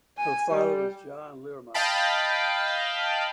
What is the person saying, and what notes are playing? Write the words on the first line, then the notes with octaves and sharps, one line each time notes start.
Her father was John Learmonth.
G#5
G3
D#5 F5 G5 A5 B5